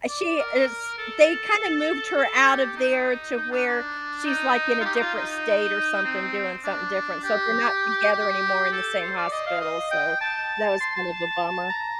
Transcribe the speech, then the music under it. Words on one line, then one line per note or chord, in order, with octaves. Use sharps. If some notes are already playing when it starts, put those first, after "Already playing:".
she is they kinda moved her out of there to where she's, like, in a different state or something doing something different. So they're not together anymore in the same hospital. So that was kind of a bummer.
D5
A#4
A4
A4
G4
D#4
D#4
D4
D4
D#4
F4
G4
D#4
F4
D#4
C4
D4
G4
G4
A4
C5
D5
D#5
F5
D#5
G5
A5
C6
A5
A#5